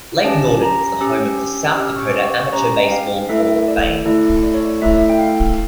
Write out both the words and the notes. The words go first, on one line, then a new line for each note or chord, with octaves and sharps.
Lake Norden is the home of the South Dakota Amateur Baseball Hall of Fame.
C#4 G4 A5
A#5
C#4 G4 E6
F6
C#4 G4 E6
C#6
D6
C#6
C#6
C#4 G4 A#5
G5
F5
A3 E4 A4 E5
D5
A3 E4 A4 D5
D5
C#5
D5
A3 E4 A4 E5
G5
F5